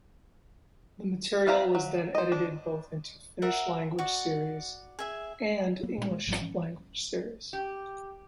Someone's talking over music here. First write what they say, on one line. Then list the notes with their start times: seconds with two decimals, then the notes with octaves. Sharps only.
The material was then edited both into Finnish-language series, and English language series.
1.47 C4 B4 E5 F5 A#5
1.75 F#3
2.15 C5 D#5
2.32 D4
3.42 F#4 A#4 E5 F#5
3.99 F#4 D5
4.99 G#4 E5 G#5
5.83 F#3 A#3 B3
5.98 A#2
6.11 G#3
6.27 G#1 G#2 F3 G3
6.41 A1 E3 F3 C#4
7.53 G4